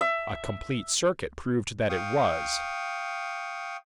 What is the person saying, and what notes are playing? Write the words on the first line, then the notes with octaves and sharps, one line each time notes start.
A complete circuit proved that it was.
E5
F5 G5 C#6 D#6